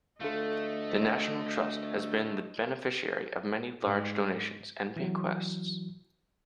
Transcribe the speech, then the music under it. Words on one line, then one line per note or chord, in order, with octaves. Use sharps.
The National Trust has been the beneficiary of many large donations and bequests.
D2 A3 F4 A4 D#5
G#2
E3 F#3